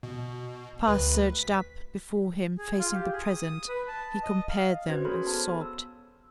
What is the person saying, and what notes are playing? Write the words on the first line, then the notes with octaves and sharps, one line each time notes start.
The past surged up before him facing the present; he compared them and sobbed.
B2
D2 B4
B6
G#4
F4
G4
G#4
D#6
B4
A5
D#5
F5
C#4 F#4 B4 C5 G#6
G#4 A4 C#5 B5 C6 F6
B3 A5
E6